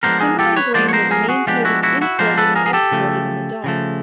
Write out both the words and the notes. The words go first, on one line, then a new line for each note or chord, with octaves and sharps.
Timber and grain were the main produce imported and exported in the dock.
F3 G#3 B3 D4 A#4 C5
G#4 A#4
G4 A4
B4 C#5
F3 G#3 B3 D4 C5 D5
C#5
A#4 C5
G#4 A#4
F#4 G#4
F3 G#3 B3 D4 F4 G4
E4 F#4
E4 F#4
E4 F#4
F3 G#3 B3 D4 A#4 C5
A4 B4
G#4 A#4
G#4
G4 A4
C#3 F3 A3
C#3 F3 A3